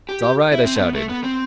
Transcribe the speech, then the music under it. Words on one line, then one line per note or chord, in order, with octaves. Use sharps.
"It's all right," I shouted.
G4
G4
E4
C4
A3
B3
A3
B3
C4